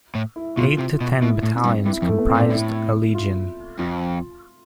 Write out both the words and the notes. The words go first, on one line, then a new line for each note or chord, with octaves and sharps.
Eight to ten battalions comprised a "legion".
A2
E4
B2 F4
C3
B2
B2 E4
A2
C4
G2
G2 E4
F2
A3
B3
C4
A2
D4
A2 E4
F4
F2 F4